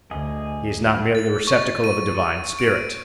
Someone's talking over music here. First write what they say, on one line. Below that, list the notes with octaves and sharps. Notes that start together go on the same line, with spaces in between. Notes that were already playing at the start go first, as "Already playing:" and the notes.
He is not merely the receptacle of a divine spirit.
D2 G#4 D#5 G#5
A6
C#6
D#7
D7